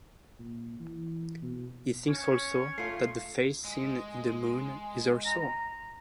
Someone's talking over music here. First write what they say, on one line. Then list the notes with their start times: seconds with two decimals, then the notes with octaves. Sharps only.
He thinks also, that the face seen in the moon is her soul.
0.39 A#2
0.79 E3
1.42 B2
2.08 C#4 C#5
2.78 A3 F4 C7
3.65 G#3
5.26 A#5